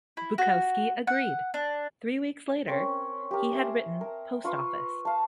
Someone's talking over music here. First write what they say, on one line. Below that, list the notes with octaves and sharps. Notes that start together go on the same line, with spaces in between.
Bukowski agreed; three weeks later, he had written "Post Office".
E4
F#4
F#5
D4
C4 C#4 A#4
G4 A#4
E5 G#5 C6 D#6
A#4
F4 B4 C6 C#6
F5 A5